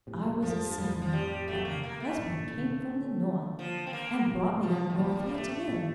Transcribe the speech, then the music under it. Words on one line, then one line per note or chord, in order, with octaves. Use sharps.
I was a Southerner, but my husband came from the North, and brought me up North here to live.
A2 C3
G2 A#2
F2 A2 F3
G2
F2 A2 F3
F3
G3
A3
A#3
A#3
A3
G2 A#2
A#2 D3
C3 D#3
A#2 D3
F3
C4
A#3
A2 C3
F3
D#3
G2 A#2 F3
G3
A#3
A3
A3
G2 A#2